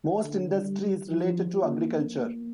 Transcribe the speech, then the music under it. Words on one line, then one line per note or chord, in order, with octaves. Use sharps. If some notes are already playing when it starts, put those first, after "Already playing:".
Most industry is related to agriculture.
D3
G3
F3
A#3
A#3